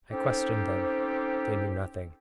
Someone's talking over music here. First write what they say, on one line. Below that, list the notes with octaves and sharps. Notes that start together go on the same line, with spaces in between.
I questioned them. They knew nothing.
C4 C#4 D#4 G4 A4 C5